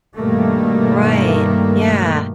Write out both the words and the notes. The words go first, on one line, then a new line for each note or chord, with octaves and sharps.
Right. Yeah.
G2 B2 D#3 G3 A3 A#3